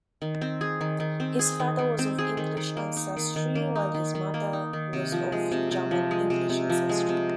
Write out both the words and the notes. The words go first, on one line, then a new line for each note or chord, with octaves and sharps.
His father was of English ancestry, while his mother was of German-English ancestry.
D#3
C4
G#4
D#3
D#3
C4
G#4
D#3
D#3
C4
G#4
D#3
D#3
A#3
D#4
D#3
D#3
A#3
D#4
D#3
D#3
A#3
D#4
D#3
C3
F3
G#3
C3
C3
F3
G#3
C3
C3
F3
G#3
C3